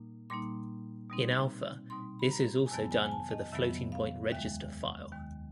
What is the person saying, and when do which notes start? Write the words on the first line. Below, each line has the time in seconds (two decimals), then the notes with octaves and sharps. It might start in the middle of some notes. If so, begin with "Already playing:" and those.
In Alpha this is also done for the floating-point register file.
Already playing: A#2 G3 A#3 D#4
0.30 A#2 G3 A#3 D#4 C6
1.10 B2 G3 C4 D#4
1.90 B2 G3 C4 D#4 C6
2.19 B5
2.30 A#5
2.66 G#5
2.70 F2 C3 D#3 F#3 B3 A5
2.91 G#5
3.06 G#5
3.11 A5
3.31 D#5
3.52 F2 C3 D#3 F#3 B3 E5
3.92 F5
4.32 D#2 D#3 G#3 E5
5.12 D#2 D#3 G#3